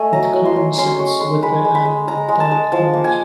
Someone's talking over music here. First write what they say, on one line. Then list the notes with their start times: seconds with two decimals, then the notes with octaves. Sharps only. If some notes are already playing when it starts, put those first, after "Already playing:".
It coincides with the annual Dyke March.
Already playing: A3 D#5 G#5
0.13 F#3 A#5
0.34 F#3
0.45 C6
0.56 F#3
0.77 C#4 C6
0.99 G#3 C#6
1.20 G#3 C6
1.43 G#3 B5
1.64 G#3
1.75 B5
1.85 G#3
2.08 G#3 A#5
2.29 G#3
2.40 A5
2.51 G#3
2.72 F3 A5
2.93 A#3
3.04 G#5